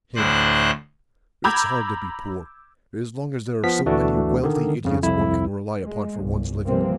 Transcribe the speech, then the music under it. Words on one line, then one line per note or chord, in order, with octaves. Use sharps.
HIM: It's hard to be poor, as long as there are so many wealthy idiots one can rely upon for one's living.
D2 A2 D4 C5 F#6
A#5 B5 D6 E6 G6 G#6
F3 B3 B6
D2 E3 A3 D4 F#4
D3 D#3
F2 C#3
C2 F2 E4
G#3
G1 C2
C3 E3 F3 G3 A#3 C4